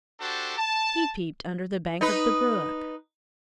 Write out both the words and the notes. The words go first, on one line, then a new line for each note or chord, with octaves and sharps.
He peeped under the bank of the brook.
D4 F#4 G4 A4 C5 A5
A5
D#4 B4